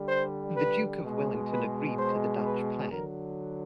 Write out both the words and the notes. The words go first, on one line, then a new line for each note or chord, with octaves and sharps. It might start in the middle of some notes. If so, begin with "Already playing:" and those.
The Duke of Wellington agreed to the Dutch plan.
Already playing: D3 G3
C5
B4
B2 G#3
B4
C5
B4
D3 F#3 A#4